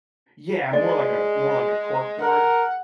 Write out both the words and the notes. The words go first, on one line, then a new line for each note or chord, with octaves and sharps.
Yeah, more like a more like a corkboard.
G#3 D5
A#4 F#5